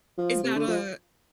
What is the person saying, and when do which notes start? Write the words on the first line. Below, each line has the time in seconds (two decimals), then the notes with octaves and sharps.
Is that a
0.18 F3
0.43 C3
0.55 D3
0.68 F3